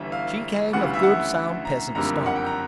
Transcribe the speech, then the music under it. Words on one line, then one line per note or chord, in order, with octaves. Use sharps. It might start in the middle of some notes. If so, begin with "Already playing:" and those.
She came of good sound peasant stock.
Already playing: G1 G2 E3 E5
F5
D2 C#3 E3 G3 F#5
F5
E5
F#5
A#5
F#1 F2 D3 G3 A#3 A#5
F#5
G5
A#5